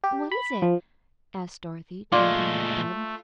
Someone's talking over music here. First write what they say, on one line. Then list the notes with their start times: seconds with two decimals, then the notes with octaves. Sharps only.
"What is it?" asked Dorothy, jumping out of bed.
0.04 G4
0.32 B5
0.62 F3
2.12 A#2 G#3 A3 F4 D5 C6 D6